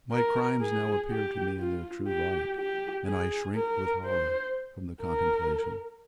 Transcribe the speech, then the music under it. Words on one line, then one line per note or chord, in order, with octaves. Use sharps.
My crimes now appear to me in their true light; and I shrink with horror from the contemplation.
A#4
G#4
G4
F4
G4
G4
G#4
A#4
C5
A#4